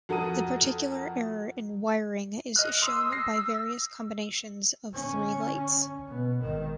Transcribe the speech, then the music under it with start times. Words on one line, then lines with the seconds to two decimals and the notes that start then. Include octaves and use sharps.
The particular error in wiring is shown by various combinations of three lights.
0.09 F2 F#4 A4 A#4 D#6 D#7
2.56 D#5 F6 F#6
2.82 C6 D#6 E6
3.12 A#6 C7
4.90 D3 C#4
6.09 B2 B3
6.42 G#1 D#3